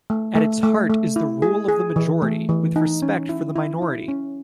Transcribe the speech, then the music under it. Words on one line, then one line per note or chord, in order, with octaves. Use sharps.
At its heart is the rule of the majority with respect for the minority.
A3
A3
A3
A3
E4
G#4
G#4
E3
A3
E3
D#4
C#4
E4
E4
E4
C#4